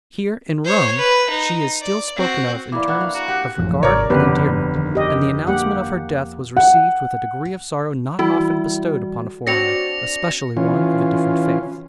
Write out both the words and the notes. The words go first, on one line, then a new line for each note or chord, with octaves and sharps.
Here, in Rome, she is still spoken of in terms of regard and endearment, and the announcement of her death was received with a degree of sorrow not often bestowed upon a foreigner, especially one of a different faith.
C5 C#5
B4
D#4
D5
C4 F#4
E3 A#3 D5 B5 D6
E3 D4 C#5 F#5
F5
F#4 A#5
G4 F#5 G5 F#6
A1 F#2 F3
G#1 C3 A#4 C#5 D5
G1 F2 B3 G4 B4
D#3
G4 D#5
A#3 G4 F#5
F#5
E3 G3 E4 F#4
C4 D4 F#4 A#6 C#7 F7
E3 C#4 F4